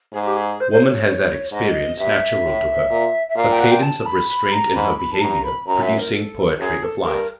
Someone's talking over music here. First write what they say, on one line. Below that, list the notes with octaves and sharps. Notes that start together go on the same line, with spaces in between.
Woman has that expression natural to her--a cadence of restraint in her behaviour, producing poetry of life.
G#2 G#4
G4
G#4
C5
C5
C#5
C#5
G#2 D#5
G2 E5
A2
A#2
E5
A#2 F5
G5
F#5
G5
A5
B5
B5
A#5
G#2 B5
B5
A5
G2 A#5
B5
F#2 A#5
E5
A#4
A4
F#2 G#4
A4
G2 A#4